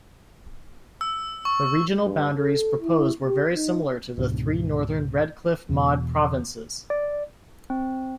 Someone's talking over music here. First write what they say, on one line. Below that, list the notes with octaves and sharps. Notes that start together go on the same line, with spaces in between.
The regional boundaries proposed were very similar to the three northern Redcliffe-Maud provinces.
E6
C#6
G2
A4
E4
G4
D#4
C#2 G#2 B2 D3
E2 B2
D5
C4